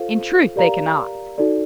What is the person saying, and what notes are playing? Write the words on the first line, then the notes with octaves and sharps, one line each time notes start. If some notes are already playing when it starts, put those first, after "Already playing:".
In truth they cannot.
Already playing: F4 A4 C5 F5
G4 A#4 D5 F5 A#5
D#4 F#4 A4 D5